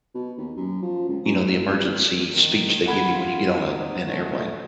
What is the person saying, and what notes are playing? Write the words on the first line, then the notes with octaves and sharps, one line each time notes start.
you know, the emergency speech they give you when you get on a an airplane,
B2
D#2
F#2
F3
C#2
F#2
F#1
C2
D#3
F#5 B5 G#6
F4
D#4
A3